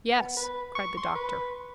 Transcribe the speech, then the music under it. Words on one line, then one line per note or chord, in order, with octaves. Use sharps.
"Yes," cried the doctor.
B3
B4
C#6
C6
B4